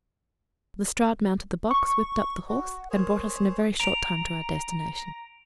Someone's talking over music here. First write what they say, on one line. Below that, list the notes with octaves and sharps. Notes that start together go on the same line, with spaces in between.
Lestrade mounted the box, whipped up the horse, and brought us in a very short time to our destination.
C#6
F#4 F#5
G#4 A#4 C5 C#5
A#5 D7 F7